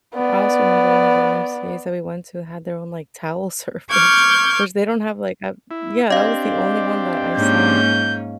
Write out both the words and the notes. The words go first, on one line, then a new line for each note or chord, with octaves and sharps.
I I also remember one of the YMCAs that we went to had their own, like, towel service, which they don't have, like, a yeah, that was the only one that I saw.
B3 D5
C#6 D6 F6 G6 G#6
E4
C4 D4 G4 D#5 F5
G#2 A#3 C#4 G6